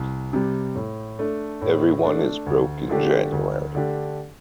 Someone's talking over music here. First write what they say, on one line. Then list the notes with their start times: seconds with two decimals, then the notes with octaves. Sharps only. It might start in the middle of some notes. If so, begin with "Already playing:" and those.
Everyone is broke in January.
Already playing: C2
0.33 C3 G3
0.75 A2
1.19 A3 D4
1.62 A2
2.04 A3 D4
2.46 D2
2.89 D3 A3 D4 G4
3.32 D2
3.75 D3 A3 D4 G4